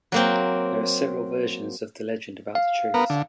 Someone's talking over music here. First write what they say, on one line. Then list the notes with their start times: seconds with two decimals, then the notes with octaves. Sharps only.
There are several versions of the legend about the trees.
0.12 F#3 A#3 C4
2.55 F5
2.94 B3 A#4
3.10 D3